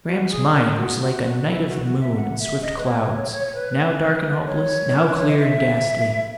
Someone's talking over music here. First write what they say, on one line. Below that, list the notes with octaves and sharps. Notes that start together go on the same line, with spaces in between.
Graham's mind was like a night of moon and swift clouds, now dark and hopeless, now clear and ghastly.
F#4
G#4
A#4
F#4
F#4
F#4
E4
F#4
F#4
E5
F#5
E5
D#5
B4
C#5
C#5
C#5
C#5
B4
C#5
A#4
B4
C#5
D#5
E5